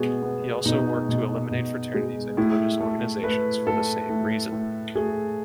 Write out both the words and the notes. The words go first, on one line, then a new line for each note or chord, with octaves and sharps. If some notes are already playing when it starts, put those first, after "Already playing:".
He also worked to eliminate fraternities and religious organizations for the same reason.
Already playing: B2 G#3 B3 F#4 G#4
B3
B2 D#4
B2
B2
G#3
A2 E4
A3
A3 B4
A2 A4
A2
A2
A3 G#4